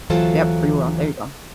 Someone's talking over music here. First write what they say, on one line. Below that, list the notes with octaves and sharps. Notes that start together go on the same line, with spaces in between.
Yep, free will, there you go.
D2 E3 F#3 F4 A4 C5